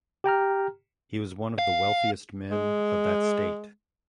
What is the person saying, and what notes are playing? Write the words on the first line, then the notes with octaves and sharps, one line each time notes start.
He was one of the wealthiest men of that state.
G4 G5 A#5 F6
F5
G#3